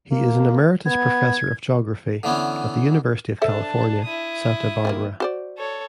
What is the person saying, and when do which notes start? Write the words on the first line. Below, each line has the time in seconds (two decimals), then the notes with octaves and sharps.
He is an Emeritus Professor of Geography at the University of California, Santa Barbara.
0.12 A#3
0.86 B3 G#6
2.23 D3 E3 B3 C#4
3.42 D4 A4 C5 E5 A5
4.04 E4 D#6
4.85 D#3 G3 A#3
5.20 F#4 C5 D5
5.57 A4 C#5